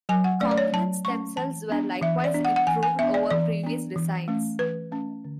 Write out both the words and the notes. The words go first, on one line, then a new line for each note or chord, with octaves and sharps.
The components themselves were likewise improved over previous designs.
F#3 G#5
F#5
A3 C#4 D5
D5
C#5
F#3 A5
A3 C#4 C#6
E3 A5
B3 D4
E3 E5
D5
B3 D4
F#5
F#5
E3 G#5
G#5
B3 D4 E5
D5
E3 D5
B3 D4
E3
A3 C#4
E3 B4
A3 C#4
D3